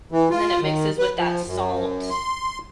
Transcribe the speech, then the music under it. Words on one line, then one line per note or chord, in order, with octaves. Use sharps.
And then it mixes with that salt.
E3
F4
D#3
B4
F3
F#2
C6